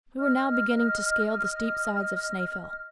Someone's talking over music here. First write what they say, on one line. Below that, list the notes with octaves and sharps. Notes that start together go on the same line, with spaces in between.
We were now beginning to scale the steep sides of Snaefell.
D#5 F6